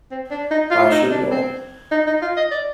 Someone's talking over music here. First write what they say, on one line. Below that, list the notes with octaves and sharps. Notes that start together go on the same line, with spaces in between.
I should know.
C4
D4
D#4
F4
D#4
D4
C4
D#4
D#4
F4
D#5
D5